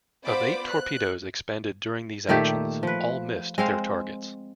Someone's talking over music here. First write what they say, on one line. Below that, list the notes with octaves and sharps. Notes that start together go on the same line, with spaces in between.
Of eight torpedoes expended during these actions, all missed their targets.
B3 F4 C5 D5 B5 D6
F#6
A#2 D#3 A3 G4
F3 B4
G#3 C4 F5